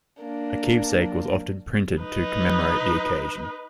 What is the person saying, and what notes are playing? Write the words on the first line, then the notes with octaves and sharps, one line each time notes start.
A keepsake was often printed to commemorate the occasion.
A#3 D4
D#4 B4